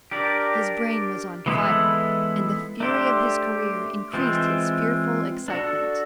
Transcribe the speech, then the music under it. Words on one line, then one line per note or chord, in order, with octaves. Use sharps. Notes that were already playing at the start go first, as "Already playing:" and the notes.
His brain was on fire, and the fury of his career increased his fearful excitement.
D4 G4 A#4 D5
E3 G#3 B3 E4 A4
A3 D4 G4 C5
E3 G#3 C4 F4
D4 F#4 A4